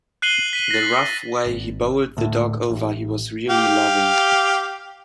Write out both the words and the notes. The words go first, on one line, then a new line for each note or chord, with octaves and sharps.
The rough way he bowled the dog over was really loving.
F#6 C7 D#7 F#7 G7
B6 D#7
A6 A#6
G#1
D2 A2
A1
G4 F5